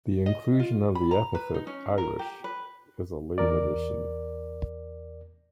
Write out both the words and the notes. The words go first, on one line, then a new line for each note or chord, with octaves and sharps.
The inclusion of the epithet "Irish" is a late addition.
D#5
F4
B5
A#5
B4
D#4
C#4
A#4
G4
B4
E2 A#4 D5